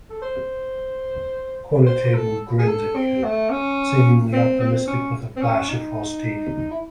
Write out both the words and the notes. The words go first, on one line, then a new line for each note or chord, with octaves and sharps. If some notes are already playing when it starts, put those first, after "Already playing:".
Corner Table grins at you, seemingly optimistic, with a flash of false teeth.
A4
C5
C5
A4
G#4
A4
C4
A3
C#4
C4
C4
C#4
C4
C#4
D#4
E4